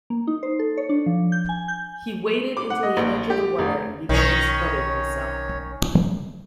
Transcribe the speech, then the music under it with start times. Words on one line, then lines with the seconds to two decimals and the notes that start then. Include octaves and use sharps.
He waded into the edge of the water and began scrubbing himself.
0.10 A#3
0.27 D#4
0.43 C5
0.59 A4
0.77 C#5
0.89 D4
1.06 F3
1.32 G6
1.49 G#5
1.68 G6
2.57 D6
2.70 F#5
2.83 D#5
2.97 A#1
3.30 G4
3.59 F1
4.09 B1 D#3 C#4 C#5